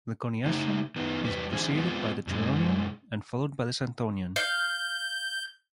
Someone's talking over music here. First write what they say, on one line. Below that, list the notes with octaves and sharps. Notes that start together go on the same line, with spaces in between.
The Coniacian is preceded by the Turonian and followed by the Santonian.
C#3 A3 D#4
D#3 B3
E2 G3 B4
D3 E3 C4 G#4
G#3 B3 C4 F4
F#2 B2 G#3
F5 G6